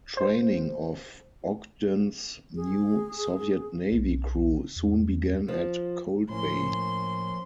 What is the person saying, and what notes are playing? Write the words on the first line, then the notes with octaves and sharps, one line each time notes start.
Training of "Ogden"s new Soviet Navy crew soon began at Cold Bay.
C5
G#4
B1
E2
F3
A2 F3 A#3 C#4 C6